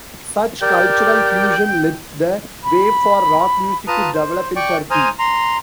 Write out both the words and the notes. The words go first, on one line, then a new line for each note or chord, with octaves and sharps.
Such cultural fusion led the way for rock music to develop in Turkey.
G4 A#4 D5 G5
B5
F4 B4 A5 A#5 D#6
C5
D5 G5 C#6
C5 G#5 A#5 D#6 F6
A#5 C6